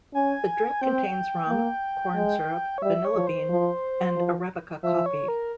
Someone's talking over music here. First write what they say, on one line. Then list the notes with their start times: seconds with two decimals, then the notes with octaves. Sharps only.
The drink contains rum, corn syrup, vanilla bean, and Arabica coffee.
0.14 C#4 G#5
0.81 C4 G5
1.48 A#3
2.15 G#3
2.78 C#5
2.82 G3 E5
3.05 C#5
3.16 F3
3.27 C5
3.50 F3
4.16 F3
4.83 F3 E5
5.06 C#5
5.28 A#4